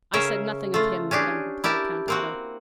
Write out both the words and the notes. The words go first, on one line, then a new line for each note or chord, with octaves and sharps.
"I said nothing of him, madam," replied Count Otto.
C#3 C#4 A#4 E5
A3 F4
C#4 D4 G4 G#4
E4 G4 A#4 A5
A#3 C4 F#4